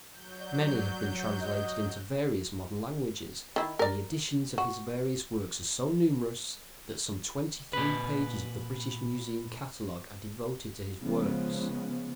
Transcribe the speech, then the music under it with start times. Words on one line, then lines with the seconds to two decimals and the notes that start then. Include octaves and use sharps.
Many have been translated into various modern languages, and the editions of his various works are so numerous that some twenty-three pages of the British Museum catalogue are devoted to his works.
0.10 F#3 G6
0.41 D5
1.41 D#5
3.56 D#3 E4
3.79 A#4 D5
4.58 F#4
7.73 A#2 B4
11.01 C#3 F3 G#3 B3